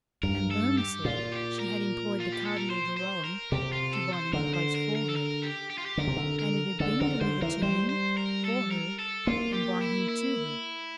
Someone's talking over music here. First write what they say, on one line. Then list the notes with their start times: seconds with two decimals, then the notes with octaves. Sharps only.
And Boehmer said, she had employed the Cardinal de Rohan to buy the necklace for her, and it had been delivered to him for her, and by him to her.
0.23 G2 A#4
0.51 A4
0.78 G4
1.05 A#2 F4
1.32 G4
1.59 A#4
2.20 F4
2.32 G4
2.45 A4
2.57 A#4
2.70 C5
2.97 C5
3.24 A#4
3.52 C3 G4
3.73 F4
3.93 A4
4.13 C5
4.33 D3 A#4
4.54 C5
4.75 A#4
4.95 A#4
5.09 A4
5.16 A#4
5.43 G4
5.70 G4
5.78 F4
5.86 G4
5.97 D3 A#4
6.07 C3
6.17 D3
6.39 A#4
6.80 D3 A4
7.01 D3 A#4
7.21 D3 C5
7.42 E3 A#4
7.62 G3 C5
7.89 C5
8.17 A#4
8.45 A4
8.71 A#4
8.99 A4
9.26 A#3 F4
9.53 G4
9.81 E4
10.09 E4